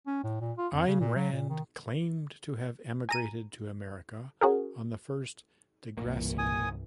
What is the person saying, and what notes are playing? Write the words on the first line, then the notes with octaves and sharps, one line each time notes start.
Ayn Rand claimed to have emigrated to America on the first "De Grasse".
C#4
A2
A#2
F4
F2
C#3
A#2
F#3
A#2
D#3
G#5 A#5 D#7
C#4 F#4 G#4 A#4
F#1 C2 G2 A#2 E3 A#3
G#5 D#6